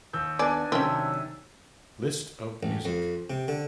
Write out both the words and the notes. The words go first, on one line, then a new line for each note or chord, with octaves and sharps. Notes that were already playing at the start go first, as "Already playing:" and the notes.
List of music.
D#2 E6 G6
B3 D4 D5 G#5
C3 D#3 F#3 C4 C#4 E5
A1
F2
C3
D3